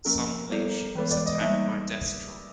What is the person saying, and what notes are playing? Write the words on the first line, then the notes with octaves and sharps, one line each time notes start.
Suddenly, she was attacked by Destron.
F3 A#3 C#4 A#4
G3 B3 E4 A4 D5
E3 G#3 B3 B4
D5
D#5
G3 A#3 D#4 E5